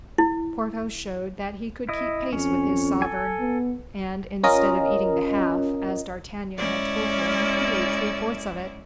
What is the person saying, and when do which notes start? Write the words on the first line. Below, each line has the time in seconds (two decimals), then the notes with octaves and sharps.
Porthos showed that he could keep pace with his sovereign; and, instead of eating the half, as D'Artagnan had told him, he ate three-fourths of it.
0.18 E4
1.89 E4 D#5
2.33 F2 C#4
3.02 A4 G#5
3.40 B3
4.43 C#4 F4 A#4 D#5
6.56 G#3 C#4 E4 D5